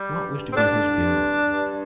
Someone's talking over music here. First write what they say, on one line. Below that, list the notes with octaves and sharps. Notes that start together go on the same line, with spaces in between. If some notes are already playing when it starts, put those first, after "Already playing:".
What was to be his doom?
Already playing: G3
G2
C4
D3 D4
G2
G2